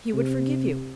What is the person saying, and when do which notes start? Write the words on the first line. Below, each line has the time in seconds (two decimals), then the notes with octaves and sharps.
"He would forgive you."
0.14 C3